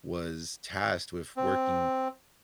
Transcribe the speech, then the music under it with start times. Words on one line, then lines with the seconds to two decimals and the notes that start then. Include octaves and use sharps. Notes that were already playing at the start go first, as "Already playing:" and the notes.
was tasked with working
1.37 C4